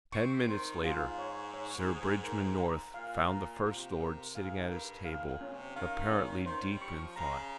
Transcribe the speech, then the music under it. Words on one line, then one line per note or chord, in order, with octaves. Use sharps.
Ten minutes later Sir Bridgman North found the First Lord sitting at his table, apparently deep in thought.
C4 C#6
D#3 C5
G#2 F4
C#5
C#5
G#4
A#4
A#5
A#2 F5
A#5
C3 F4
A#4
G#2 F5
G2 A#4
G#2 F5
A#2
C#4
C3
D#3 F5
C#4
D#3 C5
G3
C#6
F3
C#3 A#5